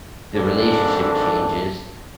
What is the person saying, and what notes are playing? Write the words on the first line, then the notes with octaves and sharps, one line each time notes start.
the relationship changes
G#1 D4 A4